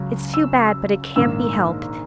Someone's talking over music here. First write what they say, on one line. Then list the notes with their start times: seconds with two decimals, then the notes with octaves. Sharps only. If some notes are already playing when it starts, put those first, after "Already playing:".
It's too bad, but it can't be helped.
Already playing: C#2 C#3 F#3 C#4
0.34 E6
1.16 A#1 G#2 D#3 A#3 E6